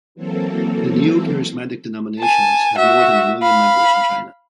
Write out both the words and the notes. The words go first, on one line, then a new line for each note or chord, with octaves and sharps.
The neo-charismatic denominations have more than a million members in China.
E3 F#3 A#3 C4 A4
G#5 A5
F#4 E5
F5 B5